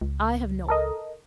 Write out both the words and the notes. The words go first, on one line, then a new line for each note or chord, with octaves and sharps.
"I have no one."
C#2
A4 A#4 D#5